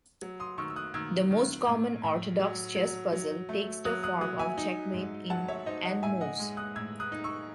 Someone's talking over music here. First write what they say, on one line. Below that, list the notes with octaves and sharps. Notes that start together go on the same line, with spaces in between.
The most common orthodox chess puzzle takes the form of checkmate in "n" moves.
F#3
C6 D#6
D#3 C#6 E6
E6
D#6 F#6
D#3 E6 G#6
D#3
A2
A2
F#3
F#3
F#3
A3
F#3 D#6 F#6
D#6 F#6
F#3 D#6 F#6
E5 G#5
D#4
G#2
F#3 F#5 A5
C#5 E5
D#4 C5 D#5
D#5 F#5
A2 E5 G#5
D#5 F#5
G#3
D#6 F#6
A2 E6 G#6
D#6 F#6
D#4
C#6 E6